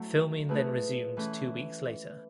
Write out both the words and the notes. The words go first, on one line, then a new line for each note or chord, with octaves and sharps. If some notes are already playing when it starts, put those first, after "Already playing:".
Filming then resumed two weeks later.
Already playing: F#3 A3 E4
B2 A3 E4 G#4
E3 A3 C#4